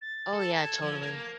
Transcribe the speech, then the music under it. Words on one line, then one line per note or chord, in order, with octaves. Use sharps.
Oh, yeah, totally.
A6
A4
G#6
F3
A#3